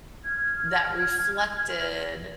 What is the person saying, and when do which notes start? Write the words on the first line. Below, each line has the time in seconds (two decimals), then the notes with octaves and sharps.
that reflected
0.25 F6 G#6